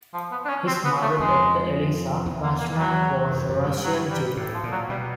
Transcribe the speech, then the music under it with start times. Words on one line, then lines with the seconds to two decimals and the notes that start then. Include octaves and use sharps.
His mother Doctor Eliza Pasternak was a Russian Jew.
0.14 F3
0.32 B3
0.45 D4
0.49 C#4
0.67 C4
0.85 B3
1.02 A3
1.20 F2 G#3
2.26 E2
2.43 A#3
2.60 A#3
2.78 F#3
3.31 F#2
3.49 F#2
3.66 G2
3.84 F#3
4.10 G3
4.37 A2
4.54 F3
4.63 A#2
4.72 F#3
4.89 B2 G3